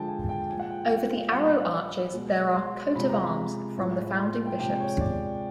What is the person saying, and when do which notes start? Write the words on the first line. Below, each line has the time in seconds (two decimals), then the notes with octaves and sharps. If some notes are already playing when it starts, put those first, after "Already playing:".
Over the arrow arches there are "coat of arms" from the founding bishops.
Already playing: D3 F3 G#3 G5 A5
0.08 G#5
0.29 G5
0.49 A#2 F3 G#3 G#5
0.60 F#5
0.70 G5
0.91 F#5
1.11 F5
1.32 A#2 G3 F#5
1.45 B5
2.14 B2 G#3
2.55 C6
2.95 C3 F3 G#3 B5
3.09 A#5
3.23 B5
3.78 A2 F3 G#3
4.19 C6
4.46 G5
4.59 C3 F3 G#3 G5
4.80 C#5
5.00 D5